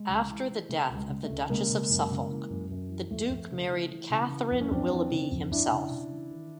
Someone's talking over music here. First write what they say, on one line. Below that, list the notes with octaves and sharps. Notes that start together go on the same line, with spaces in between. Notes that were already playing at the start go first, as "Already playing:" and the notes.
After the death of the Duchess of Suffolk, the Duke married Catherine Willoughby himself.
Already playing: G#3
C#2
E3
E3
C#3 A3
C#2
G#3
C#3
A3
C#2
C#3 G#3 A#3
C#3
F#2
C#3
E3
F#2
F#2
E3
F2 A3
F2
C#3
E3
E3
C#3
E3
F2
C#4
F2 C4 D4
E3
C#3
F2
F2 D4 E4
C#3
C#3
E3
D#3